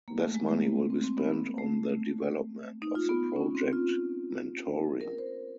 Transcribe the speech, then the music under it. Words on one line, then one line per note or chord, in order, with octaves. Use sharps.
This money will be spent on the development of the project "Mentoring".
A#3
A3
G#3
A3
A#3
C4
C4
C4
B3
A#3
A3
D#4
F4
B3
C#4
C4
F4
A#4
C5